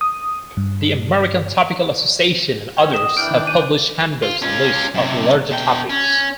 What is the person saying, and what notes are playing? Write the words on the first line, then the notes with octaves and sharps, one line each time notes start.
The American Topical Association and others have published handbooks and lists of larger topics.
D#6
G2
C#4 G5
D#5 D#6 E7
E3 D4 G5 F6 D7
D#3
D#7
F4
C#4 F4
F#2 C3
B2 G5
C#4